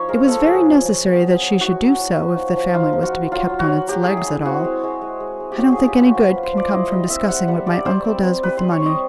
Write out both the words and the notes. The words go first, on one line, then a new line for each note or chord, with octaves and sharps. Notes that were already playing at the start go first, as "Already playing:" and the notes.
It was very necessary that she should do so, if the family was to be kept on its legs at all. "I don't think any good can come from discussing what my uncle does with the money."
Already playing: F3 D#4 C#5
G#3 A#4
G#3 A4
F3 G#4
F3
F3
B3
F#3
F#3
E4 F#4
F#3
F#3
F3
D#4
F3
D#4 F4
F3
F#4
D#4
F#3 F4
F#3
F#4
F#3
F#3 G4
E4 G#4
G#4
E4
C4 F#4
G#3
G#3
G#3
G#3
G#3
G4
C#4 F#4
F4 G#4
G4
A3 F#4
F3
F4 B4
C5
F3 D5
E4 D#5
G3 D#5
C4 E5
G3 F#5
G3 F#5
G3 D5
G3 C5
C4
C4
G3 B4
G3 C5
C#5
C4
D#5